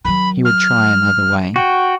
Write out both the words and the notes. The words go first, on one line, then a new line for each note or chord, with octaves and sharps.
He would try another way.
D#3 F#3 B5
F6
F#4 G5